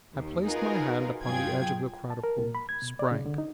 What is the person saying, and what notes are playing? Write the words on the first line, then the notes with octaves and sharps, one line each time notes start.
I placed my hand upon the edge of the quadruple; sprang.
D#2
D#4 F4 F#4 G#4 A#4 B4
G2 F#3 F4 G#4 G5 G#6
A5
A#4
A#2
B5
G#6
B2
D5
C#3
D3
D#4